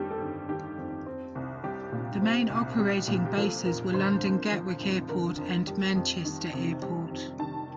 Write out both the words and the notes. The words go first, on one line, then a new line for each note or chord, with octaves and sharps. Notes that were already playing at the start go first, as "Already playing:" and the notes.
The main operating bases were London Gatwick Airport and Manchester Airport.
Already playing: G1 F2 D#3 G3 G4
A4
G1
D#3 G4
F2
C4
C2
G3 G4
A#2
C4
C2
G3
A#2
G4
F3 A4
F1 A#4
D3 C5
F2
F3
F1
D3 A#4
F2
G3
F2
D#3
C3
G3
F2
D#3 A5